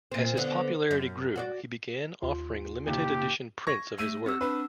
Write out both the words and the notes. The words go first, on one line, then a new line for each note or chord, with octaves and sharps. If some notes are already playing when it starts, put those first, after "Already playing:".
As his popularity grew he began offering limited edition prints of his work.
A#2 C4
D3 B3 C4
F#2
F#4 C#5 D5
D#2 F4 C6
F#1 A#2 D#3 G4
C#6 G#6 A#6
A3 E6 D#7
C4 G4 E6
D4 B4